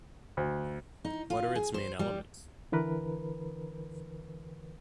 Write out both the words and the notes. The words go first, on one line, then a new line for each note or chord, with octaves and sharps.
What are its main elements?
D2
D#4
F4
G#4
C5
G3
D3 E3 A#4 B4